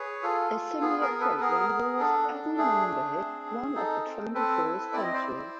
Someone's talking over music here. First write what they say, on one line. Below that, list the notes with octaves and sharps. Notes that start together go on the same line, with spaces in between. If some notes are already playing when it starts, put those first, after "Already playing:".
A similar programme was "Every Number One of the Twenty-first Century".
Already playing: G#4 B4 C#5
F4 A4
F4
B3 G#4
G#4 A#4
B3
A4 B4
B4
B3 G#4 A#4
B3
D4 A4
D4
A3 G#4
D4
C4
C4
D#4 A4
C4
C4 A4 B4
E4
C4 D5
D#5
C5 D5
E4